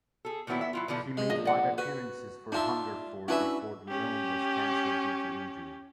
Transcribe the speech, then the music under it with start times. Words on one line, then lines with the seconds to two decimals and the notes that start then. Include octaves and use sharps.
He made five appearances for Hungerford before the loan was cancelled due to injury.
0.25 G#4 A4
0.47 A#2 D#3 F#3 B3 E4 B4
0.61 B3 E5
0.73 F#3 E4 F4
0.88 B2 D3 E3 F3 D4
1.17 G#3
1.30 A#1 D#5
1.45 D5 F#5
1.78 F#4 B4
2.52 D4 D#4 F4 E5 A5
3.28 C#4 D4 E4 F#4 B4 E5
3.88 C#4 G4